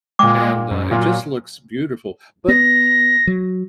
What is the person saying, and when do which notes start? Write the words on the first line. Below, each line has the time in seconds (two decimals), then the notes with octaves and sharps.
and, uh, it just looks beautiful, but
0.19 A#2 G#3 G5 D6
0.71 F#2
0.91 A#2 F#3 F4
2.48 B3 A#6
3.27 F#3